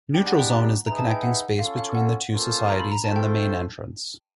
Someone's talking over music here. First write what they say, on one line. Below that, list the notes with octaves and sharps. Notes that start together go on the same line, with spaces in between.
Neutral Zone is the connecting space between the two societies and the main entrance.
G#3 B3 D4 G4 G5
F#5
G5
A#5
D#4 G#4 B4 E5 A#5
A5
G5
F#5
C#4 F4 A4 F5
F5
F#5
A#3 C#4 F4 A4 C5
A#5
B5
A#5
A3 C4 F4 A4 C5 A5
G5